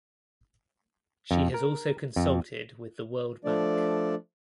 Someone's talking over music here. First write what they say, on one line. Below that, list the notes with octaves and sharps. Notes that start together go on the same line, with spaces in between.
She has also consulted with the World Bank.
F2
A#4
F2
F3 A3 D4 D5